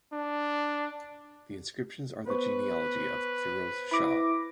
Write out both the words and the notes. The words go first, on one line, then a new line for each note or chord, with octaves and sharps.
The inscriptions are the genealogy of Firoz Shah.
D4
B3 B4 C5 C#6
E4 B5 D6 A#6